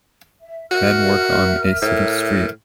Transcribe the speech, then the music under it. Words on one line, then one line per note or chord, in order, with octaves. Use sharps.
Men work on a city street.
E5
F#4 A#4 E5 F6
A2